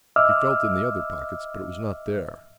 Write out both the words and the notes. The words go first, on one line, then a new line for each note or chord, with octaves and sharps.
He felt in the other pockets, but it was not there.
D#5 E5 D6 E6 F6